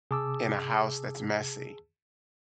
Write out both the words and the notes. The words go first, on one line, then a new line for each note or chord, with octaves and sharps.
in a house that's messy,
C3 G#4 A5 D6 E6